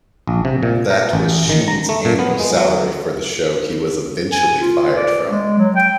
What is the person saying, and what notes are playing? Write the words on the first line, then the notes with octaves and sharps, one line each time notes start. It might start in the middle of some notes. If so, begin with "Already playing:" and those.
That was Sheen's annual salary for the show he was eventually fired from.
A#1
C3
A#2
A#4
A1
D#3
A#5
A3
A#2
B3
G#3
F#3
G#5
F4
D5
G#3
F#3
G5